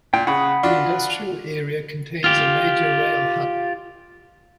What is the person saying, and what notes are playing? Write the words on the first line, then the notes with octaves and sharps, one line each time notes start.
The industrial area contains a major rail hub.
A#2 G5
C#3 F#5 B5 D#6
D4 F4 F#4
F4 G4